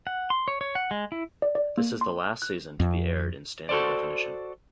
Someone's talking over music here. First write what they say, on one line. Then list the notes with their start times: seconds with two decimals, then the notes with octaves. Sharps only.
This is the last season to be aired in standard definition.
0.07 F#5
0.30 C6
0.48 C#5
0.61 C#5
0.75 F#5
0.91 G#3
1.12 E4
1.42 D5
1.55 D5
1.77 A#3
2.01 C6
2.42 F#6
2.80 F2
3.69 F#4 A4 A#4 C5 D5